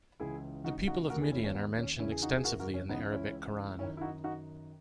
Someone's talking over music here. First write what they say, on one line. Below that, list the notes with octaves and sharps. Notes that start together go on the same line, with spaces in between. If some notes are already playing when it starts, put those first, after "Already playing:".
The people of Midian are mentioned extensively in the Arabic Qur'an.
C#2 C#3 E3 E4 G#4
D#4 F#4
D#4 F#4
D#2 D#3 F#4 A#4
E4 G#4
C#4 E4
C#4
B3
C#4
E2 C#3 E3 C#4 E4
G#4
D#4 F#4
G#4
F#4 A#4
F#4 A#4
C#4
C#2 C#3 E3 B3 D#4
C#4 E4
F#2 D#3 C#4 E4
E4
D#4 F#4
D#4 F#4